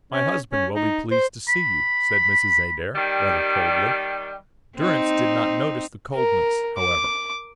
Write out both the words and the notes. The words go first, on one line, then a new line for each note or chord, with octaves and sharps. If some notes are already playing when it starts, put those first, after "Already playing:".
"My husband will be pleased to see you," said Mrs. Adair, rather coldly. Durrance did not notice the coldness, however.
C#4
C#4
D#4
C5
B5
D#3 G3
C4 D#4
A#4
D6